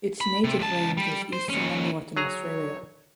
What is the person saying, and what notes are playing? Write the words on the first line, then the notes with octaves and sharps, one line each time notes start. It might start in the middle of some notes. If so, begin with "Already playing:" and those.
Its native range is Eastern and Northern Australia.
B5
C3
C#2 A5
G3
C5
D#2 C#4
F#3 G#4 C#5 A#5